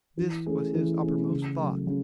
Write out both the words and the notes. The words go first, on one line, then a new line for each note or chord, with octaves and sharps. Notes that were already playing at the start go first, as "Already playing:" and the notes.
This was his uppermost thought.
E3
A3 C#4 G#4
E3
A3 C#4 G#4
C#3
F#3 A3
C#3